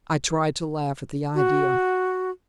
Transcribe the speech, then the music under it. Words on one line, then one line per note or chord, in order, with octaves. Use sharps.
I tried to laugh at the idea.
F#4